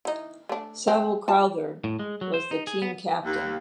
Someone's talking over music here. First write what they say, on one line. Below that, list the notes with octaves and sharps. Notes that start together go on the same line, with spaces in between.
Saville Crowther was the team captain.
E3 D#4
A3 D4
C4
F4 A5
A2
G#3
F#3
C5
D#4
G#4
B3
D#2